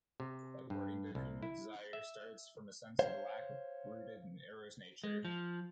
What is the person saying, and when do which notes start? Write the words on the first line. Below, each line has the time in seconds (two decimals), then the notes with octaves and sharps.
According to whom the desire starts from a sense of lack rooted in Eros nature.
0.20 C3
0.70 G2
1.15 C2
1.43 E4
1.93 E5
2.99 C5 C#5 F5
5.04 G#3
5.25 F3